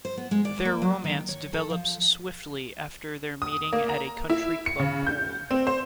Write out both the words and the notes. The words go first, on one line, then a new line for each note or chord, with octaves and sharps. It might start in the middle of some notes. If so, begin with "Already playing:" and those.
Their romance develops swiftly after their meeting at a country-club pool.
C5
B3
G#3
D5
A#3
F#3
D#3
C#5
A4
F3
D#6
A#3
A#5
E4
C#7
C#3
G6
C4
C5